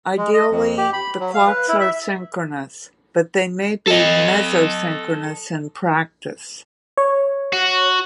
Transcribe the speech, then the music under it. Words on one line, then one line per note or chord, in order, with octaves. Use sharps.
Ideally, the clocks are synchronous, but they may be mesochronous in practice.
G#3
D#5
F2
G4
B5
F#3
F5
B4
E4
E5
A4 D#5
C#5
F#4